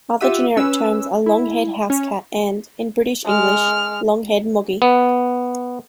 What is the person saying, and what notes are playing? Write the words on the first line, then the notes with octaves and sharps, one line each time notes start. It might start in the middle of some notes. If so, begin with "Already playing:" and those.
Other generic terms are long-haired house cat and, in British English, long-haired moggie.
F4 G4 E5 F#5 E6 D#7
C#4 B4 E6
E4
C#4
G#3 F6
B3